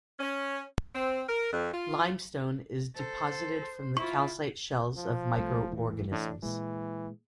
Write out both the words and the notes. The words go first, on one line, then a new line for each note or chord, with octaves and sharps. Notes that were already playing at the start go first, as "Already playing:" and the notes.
Limestone is deposited from the calcite shells of microorganisms.
C#4
C4
A#4
F2
F4
A4 C5
E4 F4 C#6
F3
C2 A3
E1 A2 E3
A2 E3 D4
A#2 E3 G#3